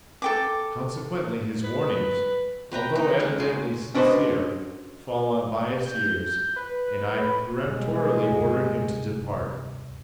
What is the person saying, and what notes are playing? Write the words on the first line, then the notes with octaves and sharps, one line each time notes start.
Consequently his warnings, although evidently sincere, fall on biased ears, and I peremptorily order him to depart.
A4 G5 D6
B4
C4 B4 G5 A#5
D#4
G#3 C#4
F#4 G#4 C6
C#4 D4 F#4 B4 C5 D#5
G6
B4
B2 G3 G#3
D2 G2 C3